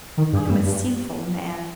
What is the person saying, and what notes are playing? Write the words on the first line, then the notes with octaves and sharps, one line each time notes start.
I am a sinful man.
D#3
G2
G2
G2